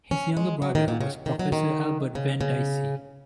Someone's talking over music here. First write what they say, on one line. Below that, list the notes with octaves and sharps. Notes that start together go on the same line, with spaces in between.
His younger brother was Professor Albert Venn Dicey.
C#4
G#3
F#3
D#3
A#2
C#3
D#3
F#3
D#3
C#3
C#3